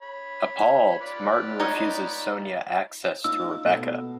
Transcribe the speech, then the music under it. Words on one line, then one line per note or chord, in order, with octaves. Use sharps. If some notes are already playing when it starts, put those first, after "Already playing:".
Appalled, Martin refuses Sonia access to Rebecca.
C#5 B5
F4 B4 D5
D#4 C#5 D#5
D#4 F4 E6
B2 A4